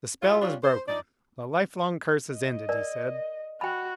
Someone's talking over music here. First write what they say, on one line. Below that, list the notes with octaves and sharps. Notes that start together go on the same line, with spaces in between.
"The spell is broken, the life-long curse is ended!" he said.
G3 E4 F4 C#5
G3 C#4 D4 F4
C5
F3 D#4 D5
D#5
A#4 D5
F#4 G5 B5